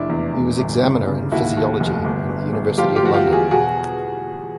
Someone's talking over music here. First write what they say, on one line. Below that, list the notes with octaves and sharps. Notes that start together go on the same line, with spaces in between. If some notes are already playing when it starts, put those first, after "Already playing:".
He was examiner in physiology in the University of London.
Already playing: F1 D4 E4
E2
E2
G1
C#3
C#3
D#2 E4 F#4
D#2
F1
G1
G1
G1
F3 F4 G4
F4 G4
F3 F#4
F4 G4
E2
F#4 G#4
B2 F#4 G#4